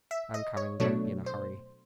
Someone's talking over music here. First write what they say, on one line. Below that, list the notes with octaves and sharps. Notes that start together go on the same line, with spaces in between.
I'm coming; don't be in a hurry.
E5
D#5
C#5
B2 F#3 A3 D4 C#5
C5